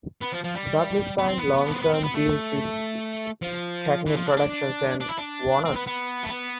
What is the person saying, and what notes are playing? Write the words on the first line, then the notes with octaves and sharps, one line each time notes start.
Douglas signed long-term deals with Cagney Productions and Warners.
B3
F3
F3
G3
B3
C4
B3
D4
C4
B3
C4
B3
A3
F3
E3
F3
D4
D4
D4
E4
D4
C4
B3
B3
A3
B3